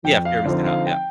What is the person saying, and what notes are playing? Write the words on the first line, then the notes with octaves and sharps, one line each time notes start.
Yeah, fear of missing out, yeah.
F2 G5
F5
D3 F3 C4 D#4 F5
F5
G5